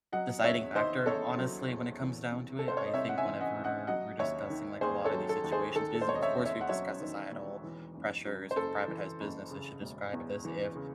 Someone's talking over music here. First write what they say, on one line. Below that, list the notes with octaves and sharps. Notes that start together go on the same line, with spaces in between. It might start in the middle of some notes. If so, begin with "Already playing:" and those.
deciding factor, honestly, when it comes down to it. I think whenever we're discussing, like, a lot of these situations, be of course we've discussed societal pressures, if privatized businesses should describe this, if
F#3 D#5 F#5
E2 C#5 E5
D#3 C5 D#5
E2 A4 C#5
F#3
E2
E3
C2
A4
C3
C5
C#5
D#5
C2 C#5 E5
F#5
E5 G#5
E3
D#5 F#5
C2
D#5 F#5
F#3 D#5 F#5
D#2 C#5 E5
D#3
D#2 G#4 C5
A4 C#5
F#3
A4
D#2
G#4 C5
D#3 A4
A4
C5
E1 C#5
D#5
C#5 E5
E2
C#5 E5
F#5
F#3 C#5 E5
D#3
E1
E3
F#1
F#2
C5
F#1 A4
E3
F#1
C#3
E1
E2
E3
C#3